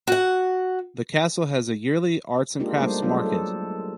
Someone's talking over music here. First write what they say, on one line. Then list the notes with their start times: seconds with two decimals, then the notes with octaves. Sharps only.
The castle has a yearly arts and crafts market.
0.07 F#4 F#5
2.59 G#3 A#3 D4 D#4 F4 G4
2.80 G3 A3 A#3 D4 D#4 C5
3.02 F#3 G#3 D4 D#4 F4 A4
3.26 A4